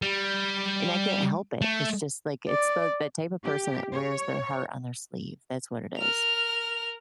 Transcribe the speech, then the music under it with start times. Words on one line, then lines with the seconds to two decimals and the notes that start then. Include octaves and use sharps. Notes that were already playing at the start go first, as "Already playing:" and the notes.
and I can't help it. It's just, like, it's the the type of person that wears their heart on their sleeve. That's what it is.
0.02 G3
1.62 A3
2.49 D5
3.44 G4
3.93 C#5
5.99 A#4 F6